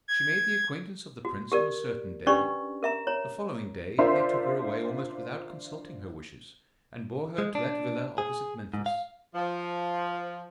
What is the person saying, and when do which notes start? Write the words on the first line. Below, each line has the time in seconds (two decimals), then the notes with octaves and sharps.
She made the acquaintance of the prince on a certain day; the following day they took her away almost without consulting her wishes, and bore her to that villa opposite Memphis.
0.08 G#6
1.25 F#4
1.52 G4 A#4 D5
2.27 C#4 D4 G4 B4 D5 C#6
2.83 A#4 E5 A#5
3.07 C#5 A#5
3.98 D4 F4 A#4 C5 E5 C6
7.38 G#3
7.55 D4
8.18 G#4
8.74 G#2
8.86 F5
9.34 F3